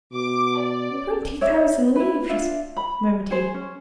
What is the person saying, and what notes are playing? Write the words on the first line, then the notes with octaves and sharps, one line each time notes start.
"Twenty thousand livres!" murmured he.
B2 D6
D5
C#4
C#5 D5 E5
E4 B4
D4 F4 E5
B5
G#4 C5
C#4